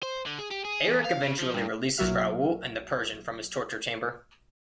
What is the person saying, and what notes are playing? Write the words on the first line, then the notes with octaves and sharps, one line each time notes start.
Erik eventually releases Raoul and the Persian from his torture chamber.
C5
D3
G#4
G4
G#4
E2
F5
C#3
F3
G2
B1 F#3 A#3 F#4 E5 F6